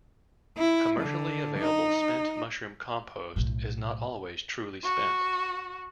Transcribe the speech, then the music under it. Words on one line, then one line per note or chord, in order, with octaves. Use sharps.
Commercially available 'spent' mushroom compost is not always truly spent.
E4
D3
D#4
B1 A2
F#4